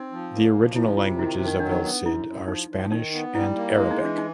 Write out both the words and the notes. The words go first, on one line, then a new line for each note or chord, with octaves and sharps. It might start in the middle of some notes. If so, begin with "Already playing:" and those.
The original languages of "El Cid" are Spanish and Arabic.
Already playing: C4 D#4
F3
A#3
F3
C3 E4
C3 F4
D#3 E4
D#3
D#4
F#3 D4
D#4
B3
F#2 E4
F#2
F3 D#4
F3
D#3 D#4
B3
G3 E4
A#3
G#3 E4
D#4
E3
D4
D#4